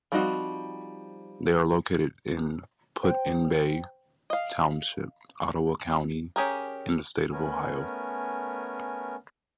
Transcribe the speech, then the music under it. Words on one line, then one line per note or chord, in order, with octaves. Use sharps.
They are located in Put-in-Bay Township, Ottawa County in the state of Ohio.
F3 G3 C4 D#4 F#4
C5 G5
D#5 F5
C#4 G4 G#4 A#4
A3 B3 C#4 A#4 G#5